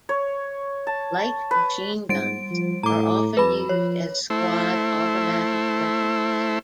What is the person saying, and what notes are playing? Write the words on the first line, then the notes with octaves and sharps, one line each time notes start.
Light machine guns are often used as squad automatic weapons.
C#5
A5
B4
G#2 G3 D7
F3
A2 A#5 D6
F2 B4 B5
F3 C#5
A3 E4 C5